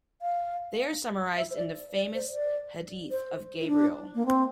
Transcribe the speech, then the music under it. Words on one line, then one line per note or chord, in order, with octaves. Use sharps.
They are summarized in the famous hadith of Gabriel.
F5
E5
C5
D5
D5
C5
D5
C5
E4
D4
A#3
C4